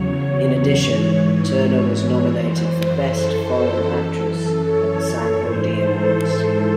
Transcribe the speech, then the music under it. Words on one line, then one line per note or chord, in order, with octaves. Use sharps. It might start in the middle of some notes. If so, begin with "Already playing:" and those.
In addition, Turner was nominated for Best Foreign Actress at the Sant Jordi Awards.
Already playing: E2 C#3 F#3 C#5
G#2 E3
F#2 E3 C5
C5
A4
F#2 E3
C#5
A4
G#2 E3 C5
A4
C5